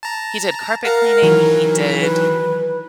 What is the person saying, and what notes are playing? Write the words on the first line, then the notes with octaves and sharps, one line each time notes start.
he's a carpet cleaning, he did,
A5 A#5
A#4 F5 F#5 A#5
D#3 E3 F#3
B4